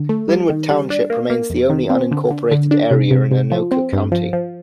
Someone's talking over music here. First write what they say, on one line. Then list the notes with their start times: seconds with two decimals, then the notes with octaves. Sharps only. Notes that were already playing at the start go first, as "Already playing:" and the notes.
Linwood Township remains the only unincorporated area in Anoka County.
Already playing: D3
0.09 A3
0.29 G3
0.50 D#3
0.69 G3
0.90 D4
1.10 A#3
1.30 A#3
1.50 F2
1.70 D#3
1.90 C4
2.11 D3
2.31 D3
2.51 D3
2.71 D4
2.91 C3
3.11 C3
3.31 C3
3.52 F3
3.72 C4
3.93 G2
4.12 F3
4.33 F3